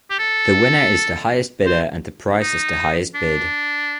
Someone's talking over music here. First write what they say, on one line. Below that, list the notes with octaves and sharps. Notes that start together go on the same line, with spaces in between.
The winner is the highest bidder and the price is the highest bid.
G4
A4
C5
D#4
D4